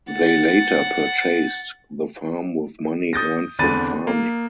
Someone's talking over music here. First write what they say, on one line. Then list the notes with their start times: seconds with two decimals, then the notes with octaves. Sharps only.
They later purchased the farm with money earned from farming.
0.11 F#5 A6
3.13 D#6 G6 A6 A#6
3.59 E2 D3 C4 B5 A6 D#7
4.07 A#3